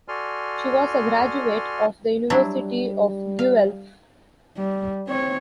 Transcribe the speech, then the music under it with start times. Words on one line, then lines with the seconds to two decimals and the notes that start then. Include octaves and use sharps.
She was a graduate of the University of Guelph.
0.08 F#4 A4 D5 G#5 C6 F6
2.30 F#3 G3 D4 E4
3.39 F5
4.57 G3
5.08 C4 C#5